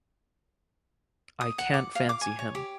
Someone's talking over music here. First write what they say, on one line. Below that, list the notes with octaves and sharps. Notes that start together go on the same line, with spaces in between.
I can’t fancy him.
D#6
F#5
D6
F5
D6
G#5
C#5
G4